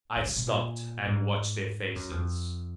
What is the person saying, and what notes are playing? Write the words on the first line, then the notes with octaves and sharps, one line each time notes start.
I stopped and watched their faces.
C#3
B2
B2
A#2
G#2
F#2
F2